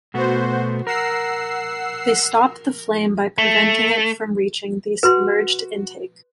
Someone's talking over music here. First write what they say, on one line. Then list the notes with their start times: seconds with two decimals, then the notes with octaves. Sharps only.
They stop the flame by preventing it from reaching the submerged intake.
0.14 B2 A3 B3 F#4 C5
0.87 A#4 F#5 E6 C7
3.38 A3
5.03 F#4 B4 C6